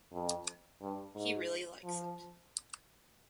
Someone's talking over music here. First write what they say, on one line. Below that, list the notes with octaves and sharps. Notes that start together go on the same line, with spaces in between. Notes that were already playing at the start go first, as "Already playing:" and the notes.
He really likes it.
F2
G2
G#2
F3